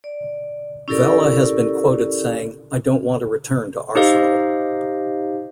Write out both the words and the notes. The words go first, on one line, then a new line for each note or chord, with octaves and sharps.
Vela has been quoted saying, I don't want to return to Arsenal.
D5
C#4 E4 G4 A4 A#4 D5
D#4 G4 C5 D#5 F5